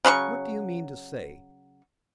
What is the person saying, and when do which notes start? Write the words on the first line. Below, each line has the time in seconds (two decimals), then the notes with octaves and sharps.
"What do you mean to say?"
0.05 C#3 F#3 C6 C#6